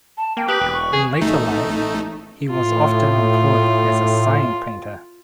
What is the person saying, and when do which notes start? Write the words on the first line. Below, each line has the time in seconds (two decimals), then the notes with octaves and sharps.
In later life he was often employed as a sign painter.
0.18 A5
0.37 A#3 G5
0.48 G4 B4 D#6 F#6
0.61 E1
0.73 C#6
0.93 G#4
1.22 A1 A3 D#4
2.50 A2 F4